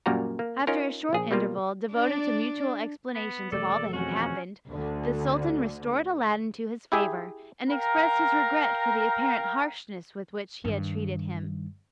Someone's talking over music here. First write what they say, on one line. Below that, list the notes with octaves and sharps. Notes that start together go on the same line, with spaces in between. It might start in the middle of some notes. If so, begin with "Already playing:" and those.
After a short interval, devoted to mutual explanations of all that had happened, the sultan restored Aladdin to his favour, and expressed his regret for the apparent harshness with which he had treated him.
F#2 A#2 G3 A#3 F#4 A#5
A#3
C#4 D#4 F4 A#4
A#1 G#4
B2 G3 A#3 F4
D4 D5
B3
E1 D#2 A3 A4 D5
F2 C#4 F#4
D2 D3
E4 G4 G#4 E5
A#4 F5 G5 A#5
G2 D#3